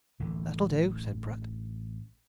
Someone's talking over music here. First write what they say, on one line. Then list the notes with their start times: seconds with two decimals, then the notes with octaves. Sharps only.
"That'll do," said Pratt.
0.20 A1 D3 E3